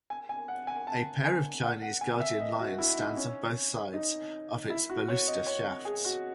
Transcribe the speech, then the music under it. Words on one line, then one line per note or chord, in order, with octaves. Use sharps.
A pair of Chinese guardian lions stands on both sides of its baluster shafts.
G#5
G#5
F#5
G#5
A5
G#5
F#5
F#5
G#5
E5
D#5
F#4
E4
D#4
C#4
D#4
E4
F#4
C#5
D#5
C#5
G#4
F#4